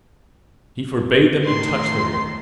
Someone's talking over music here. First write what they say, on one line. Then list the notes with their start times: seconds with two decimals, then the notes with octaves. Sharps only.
He forbade them to touch the wolf.
1.45 A2 D#3 C6